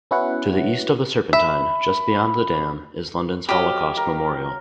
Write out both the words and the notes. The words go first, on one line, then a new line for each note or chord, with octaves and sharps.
To the east of the Serpentine, just beyond the dam, is London's Holocaust Memorial.
B3 C#4 E4 F#4 B4 F#5
E5 B5
F#3 G4 D#5 F5 B5
A#4